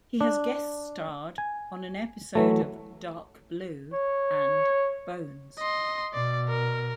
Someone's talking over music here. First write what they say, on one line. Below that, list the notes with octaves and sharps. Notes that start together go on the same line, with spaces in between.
He has guest starred on an episode of "Dark Blue" and "Bones".
D4
G#5
E3 F#3 A3
C#5
D#5 C6
B2 D5
A#4